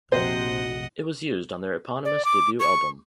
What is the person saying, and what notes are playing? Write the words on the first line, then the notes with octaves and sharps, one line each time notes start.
It was used on their eponymous debut album.
F1 A#1 F2 C3 F#4 C5 D#5 F#5
D5
D6
C#6